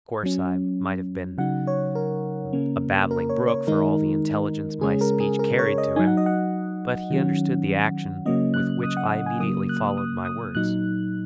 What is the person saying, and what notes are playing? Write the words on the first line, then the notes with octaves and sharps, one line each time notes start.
Of course I might have been a babbling brook for all the intelligence my speech carried to him, but he understood the action with which I immediately followed my words.
F#3 C#4
C#3 F#3 D#4 F#5
C#5
A#4
C#3 A#3 C#4
A#4
C#5
C#5
D#3 G#3 D#4 A#4
C#3 G#3 C#4 G#4
A#4
G#4
A#4
C#5
D#5
F#3 D#4 G#5
F#5
D#5
F#5
D#3 F#3 C#4
C#3 F#3 A#3 C#4 D#5
F#6
D#6
F#5
F#5
G#5
C#3 F#3 A#3 D#6
F#6
D#6
D#6
A#2 F#3 D#4 F#6